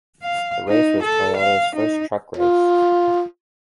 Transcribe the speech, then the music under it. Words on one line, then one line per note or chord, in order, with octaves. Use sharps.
The race was Toyota's first truck race.
F5
D#4
A4
F5
D#4
F4